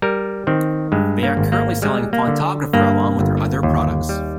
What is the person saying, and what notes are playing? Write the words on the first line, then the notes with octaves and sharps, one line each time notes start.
They are currently selling Fontographer along with their other products.
G3 A#4
D#3 C4
G2 G#3
A#3
G#1
A#3
G3 G#3
A#3
D3
G2 A#3
G1
D#2
G3